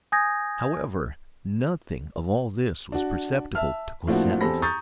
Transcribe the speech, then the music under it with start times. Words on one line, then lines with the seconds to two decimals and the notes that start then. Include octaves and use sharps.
However, nothing of all this was perceptible to Cosette.
0.12 G#5 D#6 G6 G#6 A#6
2.92 D4 F#4
3.55 E5 A5 F6
4.07 A2 F3 A#3 C4 D4 F#4
4.41 E2 C4 G4 A4 B5 A#6
4.62 A#5 C#6 D#6 G6 A6